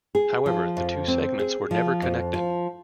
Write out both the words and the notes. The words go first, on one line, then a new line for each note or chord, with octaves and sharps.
However, the two segments were never connected.
G#4
F3
F2
C4
G#4
F3
F2
F3